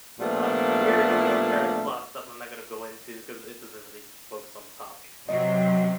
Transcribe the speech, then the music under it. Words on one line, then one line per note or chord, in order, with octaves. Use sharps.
um, weird esoteric plot stuff I'm not gonna go into because it doesn't really focus on the topic.
A#2 F3 G3 A3 B3 D4
C3 F#3 C4 D#5